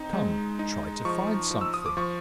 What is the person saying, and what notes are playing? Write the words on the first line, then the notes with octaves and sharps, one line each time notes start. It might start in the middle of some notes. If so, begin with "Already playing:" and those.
Come, try to find something!
Already playing: C4 D#4
G#3
D#4
F3 C#6
F3
E6
D#6
D6
F3 C#6